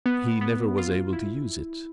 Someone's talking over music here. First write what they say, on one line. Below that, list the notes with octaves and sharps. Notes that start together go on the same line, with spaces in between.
He never was able to use it.
B3
B3
F4
E4